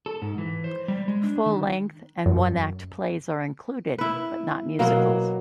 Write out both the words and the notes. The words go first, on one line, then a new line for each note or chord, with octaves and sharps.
Full length and one act plays are included but not musicals.
A4
G#2
E3
C5
G3
G#3
D4
D#3
F#2
E4 B4
B2 F#3 A#3